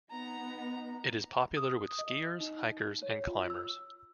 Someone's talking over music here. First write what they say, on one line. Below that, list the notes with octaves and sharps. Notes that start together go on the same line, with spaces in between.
It is popular with skiers, hikers and climbers.
B3 D#4 A#5
D#6
D#5
D#4
C#5
F4
E6